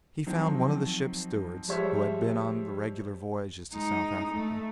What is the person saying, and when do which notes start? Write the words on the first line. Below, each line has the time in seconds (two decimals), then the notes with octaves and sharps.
He found one of the ship's stewards, who had been on the regular voyages to South Africa.
0.27 D#3 F3 F#3 C4
1.68 F3 G3 G#3 C5 C#5 E5
3.71 G#3 D#4
4.32 A3